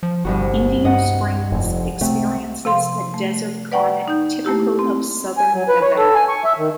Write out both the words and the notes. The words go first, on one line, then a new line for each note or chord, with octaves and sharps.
Indian Springs experiences a desert climate, typical of southern Nevada.
F3
G1 C2 G2 F#4
G2 D#5 F#5
F1 F2
C3 A3
C3 F3 F5 C6
A3
B4 D5 F#5 G5 A#5 C#6
D#4 G6
A3 A#3 E4 G4
C4
G#5
F#3
B4
C#5
A4
G#5
C#6
E5
D#3